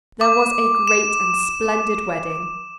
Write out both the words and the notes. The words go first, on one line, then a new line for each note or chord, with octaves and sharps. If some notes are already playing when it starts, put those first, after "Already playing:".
There was a great and splendid wedding.
D6
E7